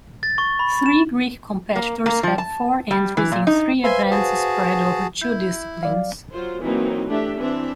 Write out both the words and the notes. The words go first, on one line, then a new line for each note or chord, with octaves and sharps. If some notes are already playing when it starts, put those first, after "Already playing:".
Three Greek competitors had four entries in three events spread over two disciplines.
A6
C#6
B5
E7
A#3
A#3
F3
A5
G3
E3
A#2
D#4
B4 C5 E5 F5 G#5 C6
F#4 G#4 A5
E4 G6
F#3 D5 F5
F#3 F4 C5
E3 F#3 A#3 C4 D#4
A3 D4 G4 E5
E3 C4 D4 E5